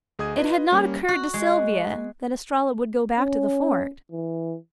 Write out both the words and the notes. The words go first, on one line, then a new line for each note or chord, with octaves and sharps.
It had not occurred to Sylvia that Estralla would go back to the fort.
D2 G#4 D#5 D#6 G#6
F4 B4 D#5
G3 A#3 C#4
F#4
G#3
C#4
E3